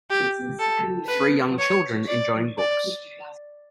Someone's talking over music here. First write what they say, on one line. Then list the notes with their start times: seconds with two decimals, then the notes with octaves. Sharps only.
Three young children enjoying books.
0.10 G4
0.59 A4
1.09 B4
1.59 C#5
2.08 D5
2.58 D5